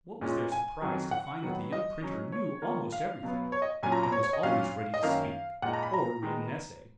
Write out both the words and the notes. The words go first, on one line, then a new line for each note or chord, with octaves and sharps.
What was their surprise to find that the young printer knew almost every thing, and was always ready to speak, or read an essay.
A#2 G#3 C#4 F4
G#5
F2 D#3 F#3
F#5
D#3 F#3 B3
D#5
G#2 F#3 C#4
C#5
D#3 A#3 F4
F5
B2 F#3 B3
C#5
D#5
A#2 F#3 C#4 F4 G#5
A#5
A#5
C#5
C#5
D#5
A#2 F#3 C#4 F5
D#5
F#2 D#3 A#3 C#4 F5
A#2 G#3 D#4 F#5
A#5
B5
A#5
D#3 G#3 B3 D#4